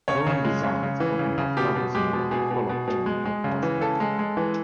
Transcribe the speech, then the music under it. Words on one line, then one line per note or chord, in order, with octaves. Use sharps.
Current designs often have toggles made of buffalo horn, or plastic.
C#3 C#5
C#3
G#3
C#3
C#3
E3
C#3
C#3
B2 G4
B2
G#3 G4
B2
B2 G#4
B2
B2
B2
G#3
G#3
C#3
E3
C#3 A4
G#3
G#3
E3